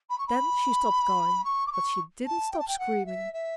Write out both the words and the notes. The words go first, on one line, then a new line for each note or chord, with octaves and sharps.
Then she stopped going, but she didn't stop screaming.
B5
C#6
B5
C#6
D6
C#6
A5
G5
A5
G5
F#5
E5
E5